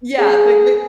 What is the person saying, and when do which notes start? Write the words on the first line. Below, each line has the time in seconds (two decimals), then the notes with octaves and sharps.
Yeah, like they
0.19 G#4